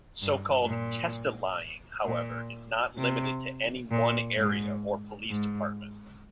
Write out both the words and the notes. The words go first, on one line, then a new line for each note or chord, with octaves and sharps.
So-called "testilying," however, is not limited to any one area or police department.
G2
A#2
A#2
C3
A#2
G#2
G#2